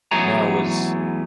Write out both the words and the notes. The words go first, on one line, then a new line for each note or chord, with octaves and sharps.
Now was
E2 F#3 A3 G#4 C#5 A#5